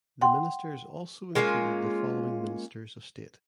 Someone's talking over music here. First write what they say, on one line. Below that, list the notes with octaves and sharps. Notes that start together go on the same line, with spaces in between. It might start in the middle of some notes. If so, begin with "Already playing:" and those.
The ministers also included the following ministers of state.
F#5 G5 C6
G#3 A#3 C#4 F4